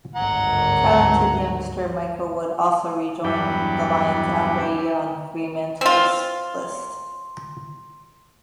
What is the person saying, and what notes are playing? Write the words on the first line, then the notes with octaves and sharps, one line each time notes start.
Talented youngster Michael Wood also re-joined the Lions after a year on Fremantle's list.
G#1 D2 G2 F#5 A#5
E2 G2 F#3 D4 G5 B5
C4 F4